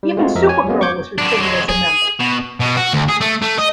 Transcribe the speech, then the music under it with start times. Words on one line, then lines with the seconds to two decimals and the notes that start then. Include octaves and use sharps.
Even Supergirl was recruited as a member.
0.03 G3
0.17 G#3 A3 C4 F4 F#4
0.35 F2 F3 A#4 D#5 E5
0.49 C#5 G#5
0.67 F#3 G#3 A#3 B3 C#4
0.81 C#6 D6 G6 G#6
1.18 F#3 D4
1.41 F#3 G#3
1.69 G#4
2.20 B2
2.60 B2
2.77 F#4
2.93 D2
3.09 G#4
3.21 A3
3.42 A3
3.58 D#5